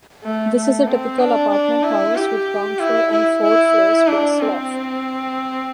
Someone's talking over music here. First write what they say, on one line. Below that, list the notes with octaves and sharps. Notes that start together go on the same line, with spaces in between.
This is a typical apartment house, with ground floor and four floors plus loft.
A3
A3
C4
D4
D4
E4
G4
E4
E4
E4
D4
C4